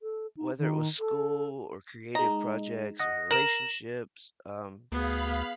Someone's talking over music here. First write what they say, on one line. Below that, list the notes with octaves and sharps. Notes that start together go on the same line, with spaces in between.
whether it was school or creative projects, or relationships, um,
A4
D#4
D#3
A4
G#3 D#4 A#5
D#5 F#5 A#6
A#4 A#6 E7 F#7
D2 B3 G#4 F5 B5